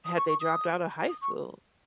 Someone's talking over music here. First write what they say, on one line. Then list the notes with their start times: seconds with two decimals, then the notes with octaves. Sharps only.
had they dropped outta high school?
0.04 D#6
0.16 C#6
0.28 C#6
0.39 D#6
1.09 D#6
1.21 C#6